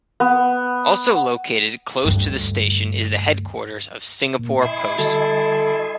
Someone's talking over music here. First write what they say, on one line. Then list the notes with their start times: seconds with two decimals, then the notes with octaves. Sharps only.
Also located close to the station is the headquarters of Singapore Post.
0.20 B3
2.05 D2 G2
4.39 A#2
4.61 E4 D#5 G#5 C6
4.98 D3 G3 F#4 A4